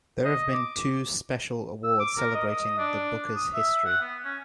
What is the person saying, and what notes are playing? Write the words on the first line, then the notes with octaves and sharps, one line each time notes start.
There have been two special awards celebrating the Booker's history.
D#5
D6
E6
D6
A#4
D#5
D#5
D4
D#6
E5
F#5
B3
C#4